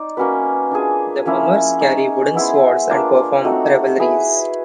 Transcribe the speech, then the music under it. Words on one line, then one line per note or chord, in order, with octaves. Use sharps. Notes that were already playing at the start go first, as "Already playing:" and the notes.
The mummers carry wooden swords and perform revelries.
Already playing: D#4 D5
A#3 C#4 F#4 B4
D4 F4 G#4
F3 A#3 C#4 E4
D#4 G#4 C#5
B3 E4 G#4 C5
A#3 D4 F4
A3 C4 D#4 F#4
E4 G#4 B4